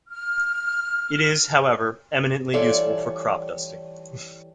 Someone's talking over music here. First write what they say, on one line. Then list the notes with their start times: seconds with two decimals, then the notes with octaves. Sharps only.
It is, however, eminently useful for cropdusting.
0.08 F6
2.53 E3 G3 F4 A4 C#5 D5